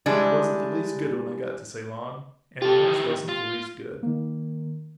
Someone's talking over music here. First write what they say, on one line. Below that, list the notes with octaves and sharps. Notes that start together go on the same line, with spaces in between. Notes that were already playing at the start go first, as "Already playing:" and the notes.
And I wasn't the least good when I got to Ceylon; and the nurse wasn't the least good.
E3 G3 G#3 D4
F4 G4 A4
D#3 E3
F4
D#3 A#3